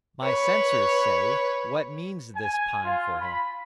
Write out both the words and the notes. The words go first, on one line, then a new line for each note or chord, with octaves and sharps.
'My censors say, 'What means this pine for him?
B4 C#5
G#5
F4
B5